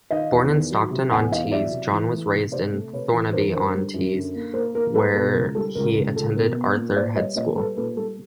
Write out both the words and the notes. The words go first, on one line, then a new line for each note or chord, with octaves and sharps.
Born in Stockton-on-Tees, John was raised in Thornaby-on-Tees where he attended Arthur Head School.
D#3 D#5 F5
E2
D#3
F#3
C3
E2 F#5 G#5
E2 D#5 F5
F#3 D5 E5
C3
E3
A3
C3
C3 C5 D5
A3
C3 B4 C#5
E3
F#2 A#4 C5
D3 A#4 C5
G3
F#2
D3
A#3
A#3 A#4 C5
A#3 A#4
G3 A4 B4
B2 A4 B4
C#2 A#4
G3 A4
C#2 A#4
C#2
C#2 A4
B2 A#4
B3
A#2
A#2 C5 D5
G3 C#5 D#5
A#2 C#5 D#5
G3 A4 B4
A#2 A4 B4
G3 A4